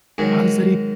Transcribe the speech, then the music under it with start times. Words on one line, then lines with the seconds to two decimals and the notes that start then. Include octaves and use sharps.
How does that
0.18 G#2 D#3 F#3 G#4